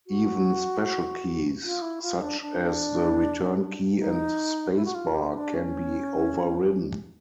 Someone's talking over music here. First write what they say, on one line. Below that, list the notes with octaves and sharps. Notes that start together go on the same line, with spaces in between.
Even special keys such as the return key and spacebar can be overridden.
F#4
F4
E4
F4
D4
D4
D#4
E4
F#4
F4
G4
D4
C#4